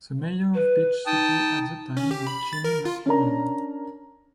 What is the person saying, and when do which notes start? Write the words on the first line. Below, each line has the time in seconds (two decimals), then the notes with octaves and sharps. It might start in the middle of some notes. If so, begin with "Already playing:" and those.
The mayor of Beach City at the time was Jimmy McClellan.
0.54 B4
1.06 D#4 G5 A5 D#6
1.97 C#4
2.11 G4
2.27 B5
2.53 A6
2.64 A#4
2.85 F4
3.06 C#4 D4 A#4 A#5